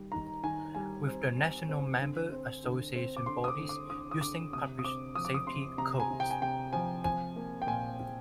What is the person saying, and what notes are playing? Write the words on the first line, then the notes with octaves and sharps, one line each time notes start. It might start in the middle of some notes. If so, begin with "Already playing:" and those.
With the national member association bodies using published safety codes.
Already playing: D#3 G3
D#3 A#5
D#3 G#5
G3 G#5
C4
C4
C4
D3
C4
D3
C4
D6
D3 C6
D#6
D6
D3
D6
D3 D#6
D#6
D3 D6
C3 D#6
D#6
C4 D6
F3 D#6
D6
D#6
C3 C6
C3 A#5
G#5
C3
G5
G#5
C3 G5
F3 G#5
F3 G#5
A#3
G5
A#2 G#5